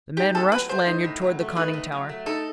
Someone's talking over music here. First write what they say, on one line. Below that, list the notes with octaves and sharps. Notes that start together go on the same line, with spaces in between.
The men rushed Lanyard toward the conning tower.
D#4 G4
A2 A4
F#3 B4
A3 C5
D#4
A2
F#3
A3
D#4 B4
A2
F#3
A3
D#4 A4